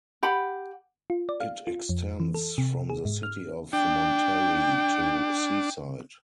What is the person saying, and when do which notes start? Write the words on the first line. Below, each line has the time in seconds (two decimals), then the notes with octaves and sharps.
It extends from the city of Monterey to Seaside.
0.23 G4 F#5 B5
1.10 F4
1.29 D5
1.40 F5
1.67 F4
1.89 F2
2.20 E3
2.34 A4
2.58 C3
2.90 G#4
3.05 G#2
3.23 F6
3.73 D4 G5